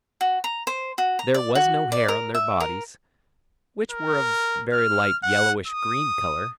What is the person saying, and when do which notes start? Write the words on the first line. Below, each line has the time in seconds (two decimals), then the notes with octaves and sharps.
There was no hair on their bodies, which were of a very light yellowish-green color.
0.21 F#4
0.44 A#5
0.67 C5
0.98 F#4
1.19 A#5
1.34 D5
1.55 F#4
1.92 D5
2.08 A#4
2.35 E5
2.60 A#4
3.91 A#4
4.72 F6
5.23 F#5
5.68 D#6